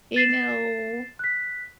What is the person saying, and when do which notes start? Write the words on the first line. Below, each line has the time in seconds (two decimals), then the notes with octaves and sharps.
You know?
0.16 A6 C7 E7
1.19 F#6 B6